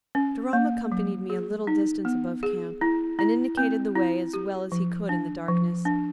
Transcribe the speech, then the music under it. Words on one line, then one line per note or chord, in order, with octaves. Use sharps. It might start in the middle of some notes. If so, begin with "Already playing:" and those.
Jerome accompanied me a little distance above camp and indicated the way as well as he could in the darkness.
C#4
A#3
F#3
G#4
D#4
B3
G#4
E4
E4
C4
E4
G4
F3
D4
F3
D4